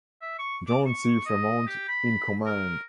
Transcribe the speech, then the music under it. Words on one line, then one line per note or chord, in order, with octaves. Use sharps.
John C. Fremont in command.
E5
C#6
D6
C#6
D#5
G4
B5
A#4